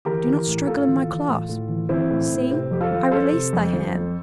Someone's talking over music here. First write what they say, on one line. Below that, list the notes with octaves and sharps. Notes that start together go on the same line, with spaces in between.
Do not struggle in my clasp: see--I release thy hand.
E3 G4 A#4
E3
A2
A2 F4 A4
E3
E3
A2
A2
E3
E3 C4 E4
A2
A2
C3 C4
F2 G4
F4 A4
F3
F2 A4 C5
C3
F2
F3
F2